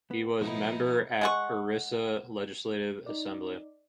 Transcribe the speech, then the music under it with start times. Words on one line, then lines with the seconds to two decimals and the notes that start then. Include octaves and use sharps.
He was Member at Orissa Legislative Assembly.
0.11 B3
0.41 B2 F3 B3 D#4 E4
1.21 G#3 F#5 C#6
3.06 D#4 D5